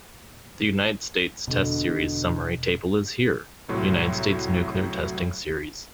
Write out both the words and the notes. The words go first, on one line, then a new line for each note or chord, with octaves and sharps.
The United States test series summary table is here: United States' nuclear testing series.
E1 B2 D3
C2 A2 F#3 C6